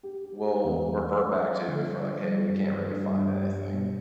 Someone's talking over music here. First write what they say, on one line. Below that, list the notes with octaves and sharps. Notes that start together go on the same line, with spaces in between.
we'll revert back to if we're like, "Hey, we can't really find anything."
G4
G4
G4
E2
A3
A3
A3
A3
D3
G3
G3
G3
G2
D4
G2
G2
G3
G3
B2